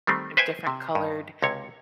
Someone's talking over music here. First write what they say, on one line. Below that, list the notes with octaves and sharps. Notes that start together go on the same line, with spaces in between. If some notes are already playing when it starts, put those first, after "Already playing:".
of different colored
D#3 G3 A3 C4
B4 C5 E5 G5 G#5
C3
G2
C#2 C3 C#5